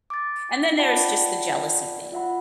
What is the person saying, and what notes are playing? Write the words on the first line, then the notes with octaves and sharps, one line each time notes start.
and then there is just the jealousy thing.
D6 A6
F4 D5 F#5 G5 A5 B5
F4 E5 F#5 B5